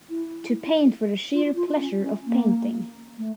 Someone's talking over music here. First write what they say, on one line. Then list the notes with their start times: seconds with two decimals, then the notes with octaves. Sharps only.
To paint for the sheer pleasure of painting.
0.09 E4
1.33 F4
1.56 F4
1.79 C#4
2.03 C#4
2.26 A#3
3.17 A3